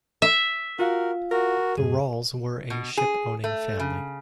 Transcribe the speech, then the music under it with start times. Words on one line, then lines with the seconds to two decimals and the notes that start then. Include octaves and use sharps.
The Rawles were a ship-owning family.
0.22 E5
0.79 F4 F#4 A#4 F5
1.31 F#4 A#4
1.77 F#2 A2 G#4
2.70 B2
2.97 G#4
3.44 A3
3.80 C#3